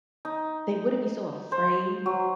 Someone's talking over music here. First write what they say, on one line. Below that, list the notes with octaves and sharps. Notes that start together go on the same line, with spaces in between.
they wouldn't be so afraid
D#4
C5
F#3